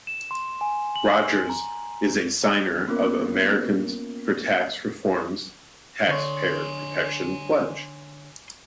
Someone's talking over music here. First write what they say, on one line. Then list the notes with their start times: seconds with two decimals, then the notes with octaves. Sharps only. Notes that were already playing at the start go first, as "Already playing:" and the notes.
Rogers is a signer of Americans for Tax Reform's Taxpayer Protection Pledge.
0.07 E7
0.31 C6
0.61 G#5
0.96 F#7
1.50 A#5
2.88 A#3 B3 C#4 F4 A#4
6.08 D3 D4 C#5 G#5 C6